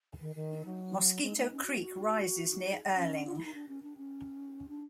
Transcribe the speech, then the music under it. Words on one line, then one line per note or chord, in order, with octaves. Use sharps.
Mosquito Creek rises near Earling.
D#3
D#3
F#3
G#3
A3
C#4
F#4
F#4
C#4
F4
E4
D#4
D4
C#4
D4
C#4
D4